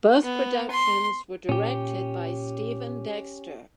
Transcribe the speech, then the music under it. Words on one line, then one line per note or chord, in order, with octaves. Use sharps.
Both productions were directed by Steven Dexter.
B3
C6
A#2 C#4 G4